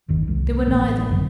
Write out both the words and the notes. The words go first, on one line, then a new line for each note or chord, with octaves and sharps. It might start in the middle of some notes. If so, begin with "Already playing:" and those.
They were neither.
G1 E2 D#3
C2 G#3
A1 G#3 A#3 C4
F#2 D3